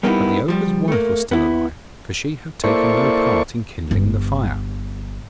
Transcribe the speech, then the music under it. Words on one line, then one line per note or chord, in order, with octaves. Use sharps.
But the ogre's wife was still alive, for she had taken no part in kindling the fire.
G3 A#3 B3 D#4 E4
F3 G3
A3 A#3
B3 E4
A#3 E4 A4 C5 D5 C#6
G1